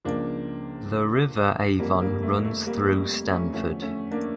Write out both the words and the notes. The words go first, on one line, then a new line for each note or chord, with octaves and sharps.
The river Avon runs through Stanford.
C#2 C#3 F3 A#3 D4
F1 F2 D3 F3 G3 A#3
G3 A#3
A3
A3
G3 A#3
G3
A3
A3 C#4
E2 D3 F3 A3 C#4
A3 C#4
A#3 D4